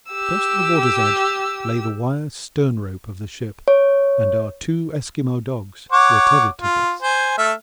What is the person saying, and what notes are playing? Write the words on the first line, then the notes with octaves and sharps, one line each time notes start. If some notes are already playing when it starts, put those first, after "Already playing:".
Close to the water's edge lay the wire stern rope of the ship, and our two Esquimaux dogs were tethered to this.
G4 E6
C#5
C#5 F#5 D6
F4
C5 G#5
A3 E5 F6